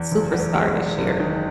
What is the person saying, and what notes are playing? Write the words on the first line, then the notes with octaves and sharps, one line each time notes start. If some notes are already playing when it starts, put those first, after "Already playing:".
superstar this year.
Already playing: E2
F#1
E2
G#3
E2
F#1
D#3